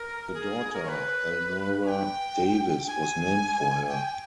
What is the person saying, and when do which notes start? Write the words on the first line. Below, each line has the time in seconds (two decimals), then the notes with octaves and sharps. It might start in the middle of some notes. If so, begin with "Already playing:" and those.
The daughter Elnora Davis, was named for her.
Already playing: A#4
0.34 G#4
0.73 A#4
0.84 C#5
0.89 B4
1.86 G#5
1.89 G5
2.88 G#5
3.89 G5